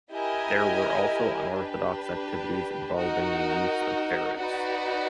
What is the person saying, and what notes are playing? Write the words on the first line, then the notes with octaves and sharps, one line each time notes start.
There were also unorthodox activities involving the use of ferrets.
E4 G4 A#4 D#5 G#5
D4 G4 B4
D#4 F#4 A#4
D#4 F#4 B4 D5